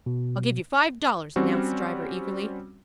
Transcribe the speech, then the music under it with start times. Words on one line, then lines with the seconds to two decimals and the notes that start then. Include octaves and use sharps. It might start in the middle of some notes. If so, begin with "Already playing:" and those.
"I'll give you five dollars," announced the driver eagerly.
0.06 B2
1.36 G3 C4 C#4 F#4